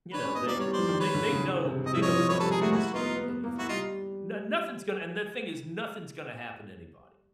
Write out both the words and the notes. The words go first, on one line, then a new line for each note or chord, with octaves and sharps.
you know, they they they know they know Trump is gonna skate anything. No nothing's gonna and the thing is, nothing's gonna happen to anybody.
D4 B4 C#5
C#4
B3 D#5
A#3 D5
G3
C#5
G3
C5 D5
F3
D#3
B4 C#5
D3
C#3
C#3
C3
C3 D#5
F3 E5
C#5 D#5
F3
F3
F#3 B4 C#5
G3 A4 B4
G#3 G#4 A#4
A3 F#4 G#4
A#3 E4 F#4
B3 D#4 F4
B3
B3
A#3
E4 F#4
G3 D#4 F4